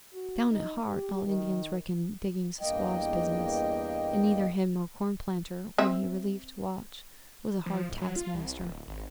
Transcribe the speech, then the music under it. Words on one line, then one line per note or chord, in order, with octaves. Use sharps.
Down at heart all Indians reckon digging a squaw's business, and neither him nor Cornplanter, when he relieved watch, was a hard task-Master.
F#4
D#4
G4
D#3
E2 G2 A#3 D#5 G5
C4 E5
F3
D1
F#3
F4
C2
D1
G#1